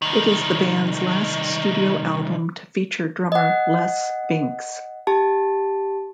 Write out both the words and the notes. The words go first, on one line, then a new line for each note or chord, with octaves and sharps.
It is the band's last studio album to feature drummer Les Binks.
C2 D#3
D#5 F#5
G4 A5